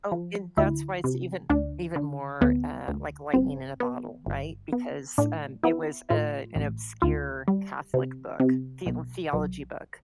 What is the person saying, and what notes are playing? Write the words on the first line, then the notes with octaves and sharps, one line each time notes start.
Oh, and that's why it's even even more, uh, like lightning in a bottle. Right? Because, um, it was, uh, an obscure Catholic book, theo theology book,
F3
D2 E4
C3
D2 D4
D3
D2 B3
D2
G1 C4
B3
G1
B3
A2 D4
B3 E4
A2 F4
A1
D2 F4
G3
C3
C3
B1
B1